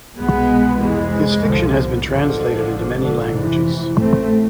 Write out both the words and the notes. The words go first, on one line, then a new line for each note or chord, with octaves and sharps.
His fiction has been translated into many languages.
C2 B2 G#3 B3
F1 F2 C3 E3 G#3
C2 B2 D3 F3
G#1 G#2 D3 F3
G#1 G#2
D3
F1 F2 C3 E3
A1 A2 A3 C4